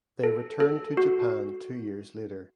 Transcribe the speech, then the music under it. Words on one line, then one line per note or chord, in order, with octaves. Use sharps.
They returned to Japan two years later.
A4
A4
F#4